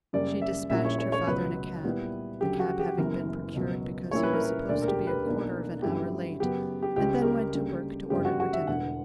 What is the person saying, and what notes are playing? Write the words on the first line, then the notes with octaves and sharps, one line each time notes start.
She despatched her father in a cab, the cab having been procured because he was supposed to be a quarter of an hour late, and then went to work to order her dinner.
F#2 C#3 G3 A#3 D5
E5
A#1 A#2 G3 C#4 E4 E5
C#5
C#5
C#5
C#2 B2 F#3 B3 B4
A#2 G3 B3 E4
D2 C#3 F#3 G4
F#4
G4
F#1 F#2 E3 B3 A#4
C#2 B2 F#3
A#1 A#2 G3 C#4 E4 C#5
B4
A#4
B4
E1 D2 D3 A#3 D5
A#4
G4
B4
B1 B2 A#3 D4
G1 G2 F#3 C#4 E4 G4
F#2 C#3 F#3 B3 G4
G4
C#2 C#3 G3 C#4 G4
A#4
G4
D2 C#3 G3 A#3
G1 F#2 C#3 G3 G4
F#4
F#4
E5
E1 E2 D3 F#5